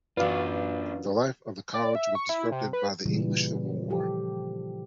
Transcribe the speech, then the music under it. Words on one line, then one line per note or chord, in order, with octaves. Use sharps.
The life of the college was disrupted by the English Civil War.
F#2 E3 D4 F4 F#4 B4 D5 F5
D5
E5
C#6
E4
C3
B4
A#2 C#3 E3 G3
F3 G4 A4